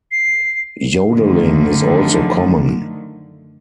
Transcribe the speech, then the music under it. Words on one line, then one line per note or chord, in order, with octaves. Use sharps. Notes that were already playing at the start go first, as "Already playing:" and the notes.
Yodeling is also common.
C7
F#2 D3 D#3 F3 A3